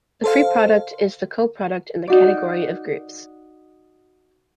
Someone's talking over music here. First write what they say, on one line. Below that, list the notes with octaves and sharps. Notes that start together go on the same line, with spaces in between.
The free product is the coproduct in the category of groups.
A4 C5 F5
D#4 F#4 D5